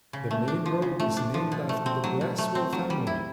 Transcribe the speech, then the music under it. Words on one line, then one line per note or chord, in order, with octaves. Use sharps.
The main road is named after the Braswell family.
C#3
A3
D4
F3
C#3
A3
D4
F3
B2
A3
C4
F#3
B2
A3
C4
F#3
G3
E4